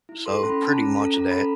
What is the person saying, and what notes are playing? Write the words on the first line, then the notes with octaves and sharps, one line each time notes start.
So, pretty much of that.
E4
A4 C6
C#4
B5
C#4 A5
A#5
C#4
A4 A#5
C#4 A#5
A4 B5